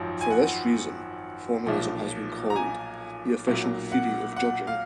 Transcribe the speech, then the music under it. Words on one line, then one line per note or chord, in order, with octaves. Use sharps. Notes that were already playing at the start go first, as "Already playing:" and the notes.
For this reason, formalism has been called 'the official theory of judging'.
Already playing: G#1 F#2 F3
G#5
F#5
B1 A#2 F3
A#5
G#5
B1 A#2 F#3
F#5
F#5
F5